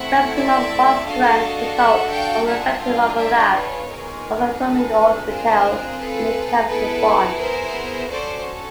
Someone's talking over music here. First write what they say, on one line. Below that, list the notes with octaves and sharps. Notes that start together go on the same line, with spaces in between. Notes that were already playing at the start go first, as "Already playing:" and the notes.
Maximum bond strength results from effective overlap of atomic orbitals in a chemical bond.
Already playing: A3 C4 E4 E5 F#5
D5 E5
D4 F#4 A4 D#5 F5
E5 F#5
F5 G5
D4 F4 G#4 E5 F#5
D#5 F5
D5 E5
B4 C#5
B3 D#4 G#4 A#4
A4 B4
C4 F4 G#4 A#4 C5
A4 B4
B3 E4 G#4 A4 B4
A#4 C5
C#4 F#4 A4 C5 D5